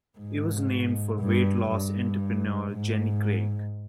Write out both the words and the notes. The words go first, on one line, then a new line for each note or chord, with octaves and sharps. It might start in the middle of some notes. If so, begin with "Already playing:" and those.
It was named for weight-loss entrepreneur Jenny Craig.
G#2
G2
G2
G#2